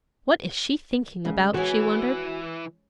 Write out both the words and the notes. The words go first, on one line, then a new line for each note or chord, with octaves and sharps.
"What is she thinking about?" she wondered.
C#3 G#3 C#4 F#5
E3 F#4 G#4 C#5 G#5